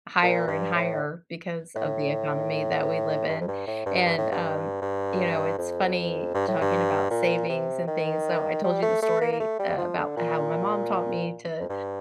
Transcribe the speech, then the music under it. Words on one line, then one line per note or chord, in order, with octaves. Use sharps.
higher and higher because of the economy that we live in, and, um, you know, it's funny talking about savings and things. So, I told you the story eh about how my mom taught me to
A#2
G2
A2
A2
G2
F2
G2
A2
G2
G2
A2
G2
G2
F2
G2
A2
G2
A#2
C3
D#3
G3
A3
A3
A#3
A#3
A3
G3
F3
D3
A#2
F2
G2